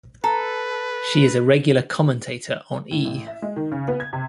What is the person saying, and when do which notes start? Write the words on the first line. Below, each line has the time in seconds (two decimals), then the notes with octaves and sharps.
She is a regular commentator on E!
0.24 A4 B4 A#5
2.91 A2
3.05 A1
3.27 E5
3.42 G#3
3.56 D#3
3.72 C#3
3.88 B3
4.00 G#6
4.13 C3